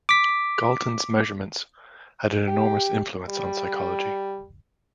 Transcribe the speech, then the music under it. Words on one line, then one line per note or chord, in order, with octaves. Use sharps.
Galton's measurements had an enormous influence on psychology.
D6 B6
G4
G3